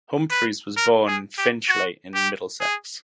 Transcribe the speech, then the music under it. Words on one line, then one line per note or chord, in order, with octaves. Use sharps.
Humphreys was born in Finchley in Middlesex.
B4
A#4
G#4
G4
F#4
G4
G#4